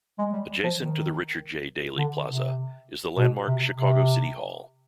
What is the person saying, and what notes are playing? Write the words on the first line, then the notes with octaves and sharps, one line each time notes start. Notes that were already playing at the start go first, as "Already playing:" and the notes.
Adjacent to the Richard J. Daley Plaza is the landmark Chicago City Hall.
G#3
G3
F3
D#3
D3
C3
B2
C3
C3